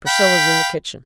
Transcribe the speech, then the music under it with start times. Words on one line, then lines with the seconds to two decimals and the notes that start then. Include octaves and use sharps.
"Priscilla's in the kitchen."
0.07 F5 G5 B5